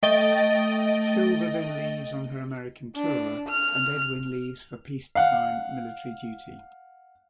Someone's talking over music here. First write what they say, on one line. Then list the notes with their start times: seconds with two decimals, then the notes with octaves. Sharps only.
Silva then leaves on her American tour, and Edwin leaves for peacetime military duty.
0.03 A3 D#5 G5 A6 D7 G7
2.96 D4
3.49 F6
5.15 F5 F#5